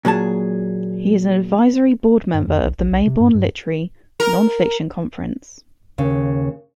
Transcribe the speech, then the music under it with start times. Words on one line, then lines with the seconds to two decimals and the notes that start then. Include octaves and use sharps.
He is an advisory board member of the Mayborn Literary Nonfiction Conference.
0.05 A#2 F#3 G#4 A5
2.34 G2
2.47 F2
2.62 B1
2.78 A#1
2.91 B1
3.06 C3
3.20 G2
3.34 G2
4.20 A#4
5.98 D#2 C#3